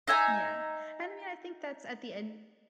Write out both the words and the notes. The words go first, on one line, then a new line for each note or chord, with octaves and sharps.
Yeah. And I mean, I think that's at the end
D#4 E5 G#5 A#5